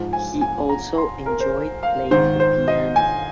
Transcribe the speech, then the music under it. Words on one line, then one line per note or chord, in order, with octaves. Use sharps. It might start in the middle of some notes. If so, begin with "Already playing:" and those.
He also enjoyed playing the piano.
Already playing: G#2 F3
G#5
G#5
A#5
C6
A#4
C5
F5
G#2 D#3 C5
C5
D#5
G#5